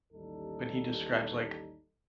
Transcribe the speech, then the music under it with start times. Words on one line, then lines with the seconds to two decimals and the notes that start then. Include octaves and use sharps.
When he describes, like,
0.13 A1 D#2 G3 C#4 D#4 A4